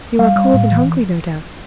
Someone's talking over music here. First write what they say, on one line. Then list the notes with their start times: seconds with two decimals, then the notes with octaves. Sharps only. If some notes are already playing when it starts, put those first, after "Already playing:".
You are cold and hungry, no doubt.
0.19 G3 F5
0.36 G3
0.54 A2
0.72 E3